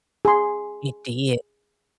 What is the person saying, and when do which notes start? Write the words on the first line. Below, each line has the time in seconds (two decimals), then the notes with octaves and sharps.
It did.
0.25 G#4 C6